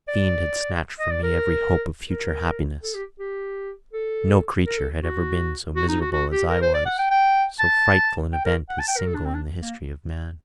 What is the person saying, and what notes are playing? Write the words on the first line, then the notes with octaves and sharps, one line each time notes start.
A fiend had snatched from me every hope of future happiness; no creature had ever been so miserable as I was; so frightful an event is single in the history of man.
D5
D#5
D5
A#4
A#4
A4
G4
G4
A4
A#4
A4
F#4
F#4
D#4
F#4
F#4
G4
A#4
C5
D5
F#5
G5
G5
A5
G5
A#4
F#5
A5
G5
A#4
A4
D4
C4
D4
A#3